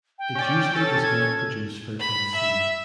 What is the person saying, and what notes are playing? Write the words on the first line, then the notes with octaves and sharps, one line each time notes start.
It usually does not produce fertile seed.
G5
C#4 D5
C#4 A4 A6
G#6
B5
E5